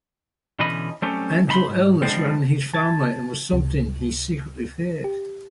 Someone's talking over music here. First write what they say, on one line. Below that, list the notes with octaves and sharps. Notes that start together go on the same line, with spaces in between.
Mental illness ran in his family and was something he secretly feared.
B2 D3 E3 C#4 D#5 B5
F#3 G3 A3 C4 C#4 G4
C#2 C3 D#4 A5 B5 C6
G#2
D3 F3 G3 G#3 C4 D4
A5 G#6 A6
C#2 C3
G4